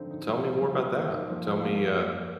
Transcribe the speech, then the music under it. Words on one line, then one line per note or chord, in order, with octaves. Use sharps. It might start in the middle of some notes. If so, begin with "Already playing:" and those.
Tell me more about that, tell me, uh,
Already playing: D3 F3 C4 D#4
D#4
F3
C4
F3
F3
A#3
D#4
F3
F3
A#3